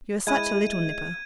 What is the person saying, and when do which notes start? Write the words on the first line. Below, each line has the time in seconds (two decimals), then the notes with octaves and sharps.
You are such a little nipper.
0.27 G#3 E4 G#6 D#7